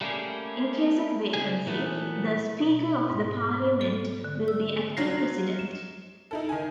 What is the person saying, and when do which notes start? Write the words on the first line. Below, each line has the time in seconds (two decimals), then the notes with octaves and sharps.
In case of vacancy, the Speaker of the Parliament will be acting President.
0.01 G3 A3 A#3 C#4 G4 G#4
1.34 C#2 C3 G3 G4 G#4 G#5
1.66 A#2 E3 F#3 A3 B3
2.61 B2
3.10 G#2
3.81 A4
4.24 D3
4.48 E6
4.97 F#3 F4 A#6 C7
5.59 E7
6.31 D#4 E4 A4
6.49 D#3 G#5